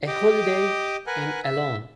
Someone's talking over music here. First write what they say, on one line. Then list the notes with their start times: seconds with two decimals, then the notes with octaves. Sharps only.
A holiday, and alone!
0.07 G4 D#5 D6
1.07 A#4 B4 F#5 G#5
1.43 E5